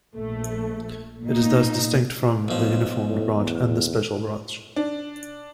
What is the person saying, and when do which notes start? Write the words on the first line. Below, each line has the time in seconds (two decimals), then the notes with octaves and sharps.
It is thus distinct from the Uniformed Branch and the Special Branch.
0.16 A#1 A3
1.24 A#2 D#4
2.48 B1 F3
3.09 A2
3.38 E2
4.76 D4